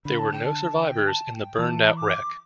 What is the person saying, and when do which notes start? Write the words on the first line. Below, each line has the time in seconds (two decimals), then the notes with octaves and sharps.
There were no survivors in the burned out wreck.
0.05 D3 B5
0.18 A5
0.32 G5
0.44 A5
0.81 G5
1.07 A5
1.33 G5
1.58 E3 A5
1.92 B5
1.97 D6